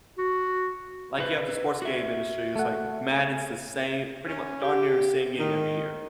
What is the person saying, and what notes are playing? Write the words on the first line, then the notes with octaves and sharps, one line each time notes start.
Like, you have the sports game industry, it's, like, Madden's the same pretty much darn near the same game every year.
F#4
D#4 B4 C5
F#4 E5
A3 F#5
C#4
G4
D#3